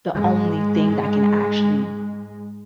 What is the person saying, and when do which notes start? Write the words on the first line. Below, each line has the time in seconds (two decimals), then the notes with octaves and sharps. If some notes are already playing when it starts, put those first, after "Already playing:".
the only thing that can actually
0.15 G#2 G#3